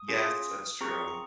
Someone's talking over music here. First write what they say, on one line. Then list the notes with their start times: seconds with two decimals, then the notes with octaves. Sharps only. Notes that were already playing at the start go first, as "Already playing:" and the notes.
Yes, that's true.
Already playing: D#6
0.08 C#4 F4 G#4
0.81 C4 F4 G#4 A#5 C#6